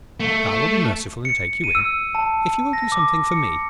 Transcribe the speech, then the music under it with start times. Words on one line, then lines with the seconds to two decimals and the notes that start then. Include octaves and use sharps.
But I will be merciful and take you in, if you will do something for me.'
0.20 A3
1.25 C#7
1.64 D#7
1.75 E6
2.15 A5
2.73 A#6
2.92 D6
3.32 C#7